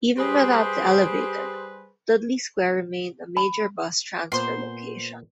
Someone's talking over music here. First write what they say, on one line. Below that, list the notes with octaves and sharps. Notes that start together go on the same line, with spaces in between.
Even without the Elevated, Dudley Square remained a major bus transfer location.
G3 G4 G#4 B4 C5
B5
A#2 B3 C5 C6